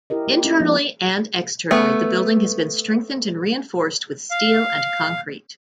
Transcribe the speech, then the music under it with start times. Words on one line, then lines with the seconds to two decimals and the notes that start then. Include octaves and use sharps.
Internally and externally the building has been strengthened with reinforced steel and concrete.
0.10 E4 G4 A#4 D#5
0.28 A#3 G4 A#4
0.44 C#4 D#4 E4 A4 D#5
0.60 F3 G#3 A#3 B3 D4 D#4
1.71 A3 B3
4.31 F5